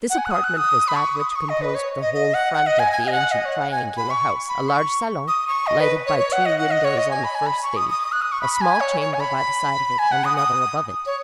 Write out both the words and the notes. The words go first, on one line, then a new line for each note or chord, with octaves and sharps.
This apartment was that which composed the whole front of the ancient triangular house; a large salon, lighted by two windows on the first stage, a small chamber by the side of it, and another above it.
F#5
G#5
F#6
D#6
F#6
D#6
B5
C#6
D#6
D#6
C#6
D#5
B4
C#5
D#5
D#5
F#5
F#5
D#5
G#5
G#5
D#5
F#5
D#5
C#5
F#5
G#5
B5
C#6
B5
C#6
D#6
C#6
D#5
B4
C#5
C#5
F#5
D#5
F#5
D#5
C#5
D#5
G#5
B5
G#5
B5
C#6
D#6
D#6
D#6
F#6
D#6
C#6
B5
B5
G#5
C#5
C#5
G#5
B5
G#5
F#5
D#6
D#6
C#5